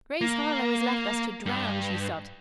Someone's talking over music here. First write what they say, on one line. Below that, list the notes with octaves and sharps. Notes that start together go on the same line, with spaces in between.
"Grace Harlowe has left us to drown," she sobbed.
A#3
G2